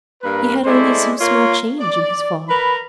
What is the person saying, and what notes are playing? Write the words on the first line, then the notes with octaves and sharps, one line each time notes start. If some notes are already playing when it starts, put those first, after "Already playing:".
He had only some small change in his fob.
G2 A#3 A#4 B4
G#3 A3 E4 C5 D5
A#3 F4 C#5
D5
A#4 B4 B5